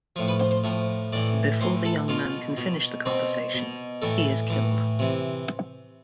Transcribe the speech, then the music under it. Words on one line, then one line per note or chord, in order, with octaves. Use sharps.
Before the young man can finish the conversation, he is killed.
A2 F3
B4
C5
C5
A2 F3
A2 E3 D5
A2 E3 C5
A4
B2 F4
B2
B2 C4
B2
A2 E3 A4
A2 E3
C3 E3